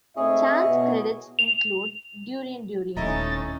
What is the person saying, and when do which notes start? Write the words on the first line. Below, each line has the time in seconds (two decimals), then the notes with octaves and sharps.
Chan's credits include "Durian Durian".
0.17 G#2 A3 C4 E4 G#4 C#5 D#5 E5
0.65 B2
1.39 F7
2.97 D#1 A3 C#4 D#4 E4 D#5 A#5 A6